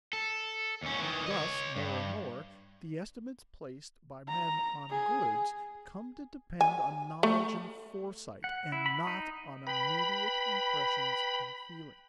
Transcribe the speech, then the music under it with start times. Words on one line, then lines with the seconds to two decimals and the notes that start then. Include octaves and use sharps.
Thus, more and more, the estimates placed by men on goods come to depend on knowledge and foresight, and not on immediate impressions and feelings.
0.13 A4
0.82 D#2 C#4
1.00 D#3 E3
1.26 C#5 D#5
1.76 G2
4.29 A#5
4.90 G#4
6.61 G#5
7.23 A3
8.44 F#5
8.72 E4
8.86 B5
9.07 D#4
9.67 B4 G5 B5